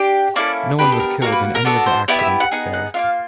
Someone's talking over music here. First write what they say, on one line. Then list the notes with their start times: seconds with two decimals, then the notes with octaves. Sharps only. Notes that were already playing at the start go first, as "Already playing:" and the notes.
No one was killed in any of the accidents there.
Already playing: D4 G4
0.36 A#3 C#4 E4 A4 D5
0.79 B3 D4 G4 B4
0.92 A4
1.00 A#4
1.22 A#3 D4 F#4 A#4
1.32 B4
1.55 A#4
1.65 B3 D4 F#4 A4
1.86 C5
2.08 B3 E4 G4 D5
2.19 E5
2.40 F#5
2.51 B3 D#4 G#4 F#5
2.74 F#5
2.94 A#3 D4 F4 F5